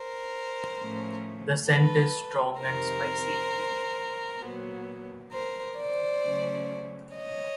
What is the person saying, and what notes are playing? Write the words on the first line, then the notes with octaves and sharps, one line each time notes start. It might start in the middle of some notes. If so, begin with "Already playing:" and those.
The scent is strong and spicy.
Already playing: A#4 C5
A2 F3 A3 C#4
A4 B4
F2 C3 D#3 A#4 C5
A#2 F#3 B3
A#4 C5
C5 D5
C#3 F#3 A3 C#4
C#5 D#5